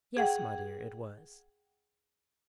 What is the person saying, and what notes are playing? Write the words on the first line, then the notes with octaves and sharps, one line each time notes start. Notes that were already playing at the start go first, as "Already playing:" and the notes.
'Yes, my dear, it was.'
G#4 F#5 G5